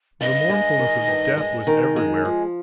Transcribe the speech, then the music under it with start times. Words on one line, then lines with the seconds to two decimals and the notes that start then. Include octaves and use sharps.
The mournfulness of death was everywhere.
0.21 G2 D#5
0.50 G#3
0.79 D#3
1.08 G2
1.37 G#3
1.67 D#3
1.96 G#3
2.25 F3